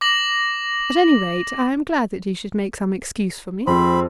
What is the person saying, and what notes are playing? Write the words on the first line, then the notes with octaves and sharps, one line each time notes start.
At any rate, I am glad that you should make some excuse for me.
D6 A#6 F#7
F2 F3 C4 G#4 B5 C6